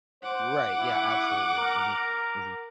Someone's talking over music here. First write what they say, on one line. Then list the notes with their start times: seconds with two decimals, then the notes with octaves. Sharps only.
Right, yeah, absolutely, mhm. Mhm.
0.22 C5 F#5 D6
0.78 E4
1.59 A#4